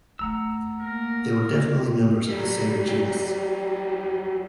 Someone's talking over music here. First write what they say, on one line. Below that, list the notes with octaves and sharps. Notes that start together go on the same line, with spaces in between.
They were definitely members of the same genus.
A3 F#5 A#5 E6
A#3 A#4
F#3 G3